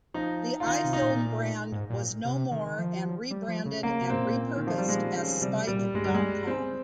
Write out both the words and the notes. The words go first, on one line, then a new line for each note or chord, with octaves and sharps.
The iFilm brand was no more and re-branded and re-purposed as Spike dot com.
F3 D#4
F4
D#3 D#4
C3
D#4
A#2
G#2
A#2
C3
D#3
D#3
F3
G3
F3
C#3
C#3 A#3
C3
C4
G#2
A#2
C4
D#3
F3
G3
A#2 G#3
C#3
C3 G3
A#2 G3
G2 G#3
G3
G2 G#3
C4